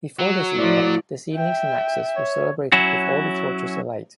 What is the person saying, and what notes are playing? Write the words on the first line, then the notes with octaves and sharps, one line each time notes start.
Before this epoch this evening "synaxis" was celebrated with all the torches alight.
F#3
A2 F3 E4 D5
E5 G5
C#5
F#3 C#4 E4 F#4